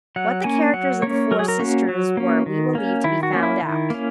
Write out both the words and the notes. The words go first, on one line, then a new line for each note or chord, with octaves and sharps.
What the characters of the four sisters were we will leave to be found out.
F#3 F#5
A#3 C#4 G#5
F#3 F#5
A#3 C#4 C#5
F#3 A#4
G#4
A#4
A#3 C#4 F#4
F#3
A#3 C#4
D#3
A#3 C#4
D#3 E4
F#4
A#3 C#4
E4
D#3
A#3 C#4